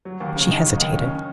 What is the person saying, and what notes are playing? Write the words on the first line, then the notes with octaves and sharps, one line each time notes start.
She hesitated.
F#3
D#2
C#3
D#4
F#3
D#2
C#4